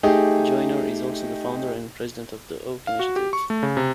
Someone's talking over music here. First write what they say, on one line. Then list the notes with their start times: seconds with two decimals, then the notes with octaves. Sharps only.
Joyner is also the founder and president of the Oak Initiative.
0.03 A3 D#4 G4 G#4
2.87 F5
2.99 F#4
3.16 G4
3.33 C#6
3.50 A3
3.63 C#3
3.77 C3